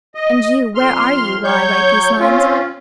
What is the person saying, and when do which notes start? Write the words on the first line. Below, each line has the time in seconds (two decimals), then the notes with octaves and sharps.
And you, where are you, while I write these lines?
0.15 D#5
0.75 F2 C6 F6
1.44 F#3 C#5 C#6 G6
2.19 C4 C#4 F4